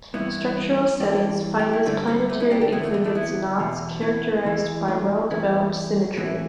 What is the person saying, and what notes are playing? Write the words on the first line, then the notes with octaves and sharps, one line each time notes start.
Structural studies find this planetary exhibits knots characterized by well developed symmetry.
G2 E3 B3 E4
G2 E3 D4 G4
G4
E4
G2 D3 A3 D4
G3 B3
A3
B3 E4
D4 G4
D4 G4
E2 D3 B3 E4
A3
G3 B3
A3 D4
B3 E4
E2 B2
B3 E4
E2 E3
A3 D4
G2 E3 B3 E4
A2 E3 B3 E4